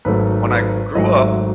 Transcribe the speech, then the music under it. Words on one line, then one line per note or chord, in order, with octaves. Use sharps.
when I grew up,
G#1 G#2 F#3 A3 B4
B4
G#1 G#2 F#3 A3 D#5
E5